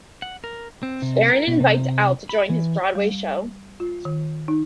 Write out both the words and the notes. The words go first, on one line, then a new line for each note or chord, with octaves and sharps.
Baron invites Al to join his Broadway show.
F#5
A#4
C4
C3
A#4
B2
C3
B5
E3
G3
F4
D#3
D#4